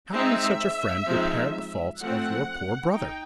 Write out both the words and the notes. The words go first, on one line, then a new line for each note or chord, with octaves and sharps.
How would such a friend repair the faults of your poor brother!
G#3 C4 D#4 E5
F3 G#3 C4 D#4
F3 A3 C4 F#5
D#4 G5